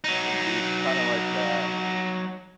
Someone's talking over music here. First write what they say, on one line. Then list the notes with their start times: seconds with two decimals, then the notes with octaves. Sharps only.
'Cause it was kinda like that
0.04 F#3 D#4